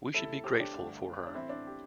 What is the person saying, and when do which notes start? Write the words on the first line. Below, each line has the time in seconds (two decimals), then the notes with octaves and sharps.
We should be grateful for her.
0.14 C3 E3 A3 E4 A4
0.44 G4 C5
0.59 D4 G4
0.75 G2 D3 A3
1.27 D4
1.34 A2 E3 A3 C4 E4
1.49 D4
1.67 G4